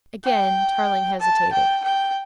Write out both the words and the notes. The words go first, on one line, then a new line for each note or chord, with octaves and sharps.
Again Tarling hesitated.
G5
A5
G5
G5